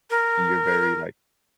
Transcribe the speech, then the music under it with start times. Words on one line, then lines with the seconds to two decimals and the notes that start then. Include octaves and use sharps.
And you're very like
0.10 A#4